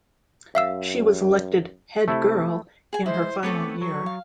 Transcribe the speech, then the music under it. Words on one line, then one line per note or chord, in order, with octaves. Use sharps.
She was elected Head Girl in her final year.
F#2 E5 F5 E6
C3 A3 E4
G#4 G#5
G#3 E4 C5
A3 B3 C4 A4 B4 C#5 D6
F#3 C#6
F5